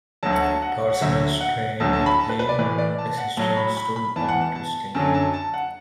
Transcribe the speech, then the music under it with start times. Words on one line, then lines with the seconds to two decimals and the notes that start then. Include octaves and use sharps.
Torsional strain is the resistance to bond twisting.
0.23 D2 D3 F#3 A5
0.33 F#5
0.42 A5
0.62 F#5
0.90 F#5
1.01 D2 D3 F#3 E5
1.41 F#5
1.80 D2 D3 F#3 A5
1.93 A5
2.06 B5
2.19 A5
2.29 B4
2.39 B4
2.49 D5
2.58 A2 E3 B4
2.78 D5
2.98 A5
3.18 F#5
3.37 A2 F#3 A5
3.57 B5
3.77 B5
3.96 B5
4.16 E2 E3 A5
4.28 F#5
4.41 A5
4.55 A5
4.94 F#2 D3 F#3 A5
5.14 A5
5.34 A5
5.54 F#5